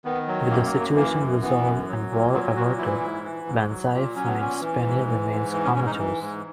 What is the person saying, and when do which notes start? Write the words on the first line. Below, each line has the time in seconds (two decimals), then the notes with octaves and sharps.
With the situation resolved and war averted, Banzai finds Penny remains comatose.
0.05 D#3 B3
0.28 F#3
0.50 F#2 A#3
0.65 A#3
0.73 F#2
0.80 A#3
0.96 E3 A#3
1.19 F#2
1.42 E3 B3
1.65 F#2
1.88 F#3
2.10 A#2
2.33 F#3 B3
2.56 A#2 F#4
2.78 E3 E4
3.01 G#2
3.24 E3
3.47 G#2
3.70 F#3
3.93 A#2
4.15 F#3 C#4
4.28 B3
4.38 A#2 C#4
4.61 E3
4.84 G#2
5.06 E3
5.30 G#2
5.52 E3
5.64 C#4
5.75 G#2 C#4
5.86 D#4
5.98 E3
6.21 G#2